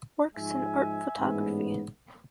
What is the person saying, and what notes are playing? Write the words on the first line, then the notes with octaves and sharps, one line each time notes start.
Works in art photography.
G#2 F3 G#3 E5 G#5
A1 G#2 G#3 B3